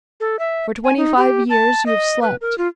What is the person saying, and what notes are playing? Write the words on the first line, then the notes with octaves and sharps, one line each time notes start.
For twenty-five years you have slept.
A4
E5
G#5
D#4
G4
A5
D#5
B4
A#4
F4